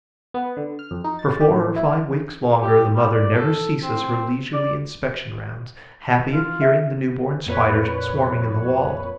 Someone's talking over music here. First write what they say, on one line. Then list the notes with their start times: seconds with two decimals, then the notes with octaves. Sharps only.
For four or five weeks longer, the mother never ceases her leisurely inspection-rounds, happy at hearing the new-born Spiders swarming in the wallet.
0.34 B3
0.57 D3
0.79 F6
0.91 F2
1.04 D#4
1.19 A6
1.40 G4
1.53 A2
1.76 E4
2.62 G4
2.95 G3
3.12 D5
3.34 A4
3.83 C4
4.54 D5
6.31 F4
6.62 E5
7.47 F2 A#2 B4 C#5